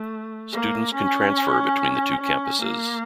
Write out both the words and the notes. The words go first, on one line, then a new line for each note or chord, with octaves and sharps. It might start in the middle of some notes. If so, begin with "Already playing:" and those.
Students can transfer between the two campuses.
Already playing: A3
A#3
C#4
C#4
A#3